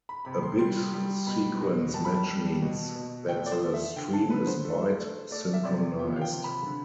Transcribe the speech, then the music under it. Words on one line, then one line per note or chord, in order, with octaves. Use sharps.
A bit-sequence match means that the stream is byte-synchronized.
B5
C3 B5
C6
G3 C6
G3
B2 B5
B2
G3 A5
B5
A5
G3
B2
B2
A3 G5
D5
C5
A3
E5
D3 G5
A5
D3 B4
C5
A3
A3
A3 D5
E5
C3 D5
F3 G5
F5
G5
C3
B5
D3